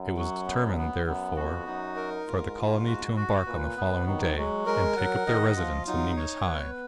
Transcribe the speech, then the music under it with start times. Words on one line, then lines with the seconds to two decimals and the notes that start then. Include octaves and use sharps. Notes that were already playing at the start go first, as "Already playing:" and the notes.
It was determined, therefore, for the colony to embark on the following day, and take up their residence in Nina's Hive.
Already playing: F#2
0.17 F#3
0.47 B3
0.77 B3
1.06 F#2 B3
1.36 F2 F#4
1.67 F#2 D#4
1.96 A#4
2.26 G#2 F4
2.57 F4
2.86 F#4
3.17 F#4
3.46 A#2 B4
3.77 B3
4.06 D#3 F#3
4.37 F#3 G#3
4.66 G#3 A#4
4.97 F#3 F#5
5.27 D#3 D#5
5.56 F3 F4
5.87 F#3 D#4
6.16 C#5
6.46 B3 B4